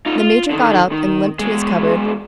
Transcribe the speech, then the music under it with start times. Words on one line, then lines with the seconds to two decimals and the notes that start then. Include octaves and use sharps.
The Major got up and limped to his cupboard.
0.06 D#4 F4
0.18 F4
0.51 D3 D#3
0.92 D#3
1.39 E2 G#3